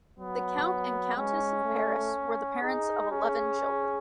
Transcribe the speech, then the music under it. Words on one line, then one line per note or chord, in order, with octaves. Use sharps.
The Count and Countess of Paris were the parents of eleven children.
F#3 B3
G#3 C#4
A3
D#4 G#4
C#4 G#4
G#4